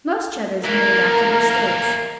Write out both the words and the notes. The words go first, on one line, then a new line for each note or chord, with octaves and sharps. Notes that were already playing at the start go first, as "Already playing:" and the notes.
Most Cheddars are named after their states.
E3 A#3 A#4